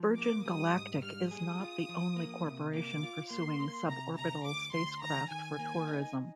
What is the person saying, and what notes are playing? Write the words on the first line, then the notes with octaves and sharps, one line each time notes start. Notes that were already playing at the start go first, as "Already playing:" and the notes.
Virgin Galactic is not the only corporation pursuing suborbital spacecraft for tourism.
Already playing: F3
A#3 D6
G3 D#6
G#2
G3 F6
G#4 D#6
F4
F3
A#3
C3
A#3 D6
F4
A#3 C6
A#3
C3 A#5
D2 A#5
D2 D6
D2 C6
D#3 A#5
D#3 G#5
A#3
D#4